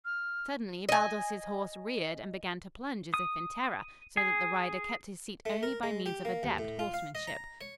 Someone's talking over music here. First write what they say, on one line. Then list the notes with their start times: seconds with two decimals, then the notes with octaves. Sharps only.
Suddenly Baldos's horse reared and began to plunge as if in terror, so that the rider kept his seat only by means of adept horsemanship.
0.04 F6
0.89 D#5 G#5
3.14 D#6
4.17 G#4
5.45 A3
5.63 A#4
5.83 G#3
6.06 G4
6.25 A#3
6.43 D#2
6.58 A2
6.79 F4
6.94 F5
7.15 D#5
7.27 A#5
7.61 C#5